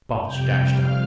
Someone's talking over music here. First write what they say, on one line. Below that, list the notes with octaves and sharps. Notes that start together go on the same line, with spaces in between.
Balch dashed up.
F2 C3 G3 G5 G6
F5 F6